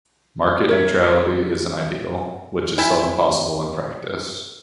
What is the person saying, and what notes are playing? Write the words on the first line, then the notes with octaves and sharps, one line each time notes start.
Market neutrality is an ideal, which is seldom possible in practice.
A#4 C#5 E5
C3 E4 E5 G#5